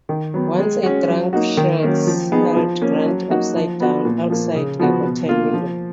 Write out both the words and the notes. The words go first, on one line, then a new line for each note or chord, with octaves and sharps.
Once a drunk Shields held Grant upside down, outside a hotel window.
D#3
F#3 B3
G#3
C#4 F#4
F#3
A#3 D#4 F#4
D#3
F#3 A#3 C#4
F3
B3 D#4 G#4
F3
A#3 C#4
F#3
A#3 D#4 F#4
F3
B3 F#4
A#2
F3 A#3
C#3
F3 B3 F#4
B2
A#3 F4
F3